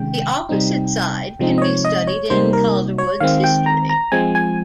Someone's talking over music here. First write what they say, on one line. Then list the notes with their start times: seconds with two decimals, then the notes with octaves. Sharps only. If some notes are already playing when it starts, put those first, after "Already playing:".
The opposite side can be studied in Calderwood's "History".
Already playing: C3 D#3 G#3 C#4 G5
0.49 C3 G3 C4 D#4
1.39 C3 F3 G#3 C4 D#4
1.58 D#5
1.62 C#5
1.85 D#5
2.07 C#5
2.30 C3 G3 A#3 D#4 C5
2.53 A#4
2.98 C#5
3.20 D#3 G#3 C4 F5
3.44 G5
3.66 A#5
3.89 A#5
4.12 F3 G#3 C4 G#5
4.35 G#5